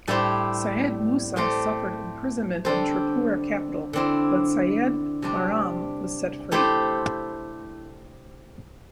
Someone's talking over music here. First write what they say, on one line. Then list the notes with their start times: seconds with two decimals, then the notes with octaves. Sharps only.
Syed Musa suffered imprisonment in Tripura capital but Syed Bairam was set free.
0.07 A2 G3 E4 G4 C5
1.36 A3 C4 G4 C5
2.65 D3 G3 C4 A4 C5
3.93 D3 C4 E4
5.22 C3 G3 D4
6.52 A3 E4 G4 C5